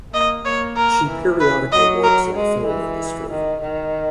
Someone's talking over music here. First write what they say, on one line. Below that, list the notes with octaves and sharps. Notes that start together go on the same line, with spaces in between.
She periodically works in the film industry.
A#3 D#5
A#3 C#5
A#4
E3
B4
F#3 D#5
A#4
G#3
E3
D#3
D#3